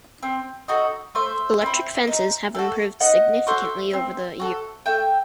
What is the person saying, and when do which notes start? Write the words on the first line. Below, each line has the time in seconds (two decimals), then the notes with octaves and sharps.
Electric fences have improved significantly over the years.
0.23 C4
0.68 D#4 F#4 A4
1.15 A3 C5 E5
1.62 C4 E4
2.07 D#4
2.55 F#4 A4
3.00 D#4 D#5 F#5
3.47 F#4 A4 C5 E5
3.93 C4
4.39 F#4 A4
4.86 A3 E5 G5